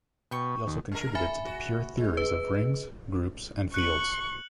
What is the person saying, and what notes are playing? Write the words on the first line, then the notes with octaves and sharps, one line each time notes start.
He also contributed to the pure theories of rings, groups and fields.
B2 G5 C#6
D#2
C#3 A#4
E5 G#5 B5
F#4
G#3
B4
C#6 F#6 C#7 F#7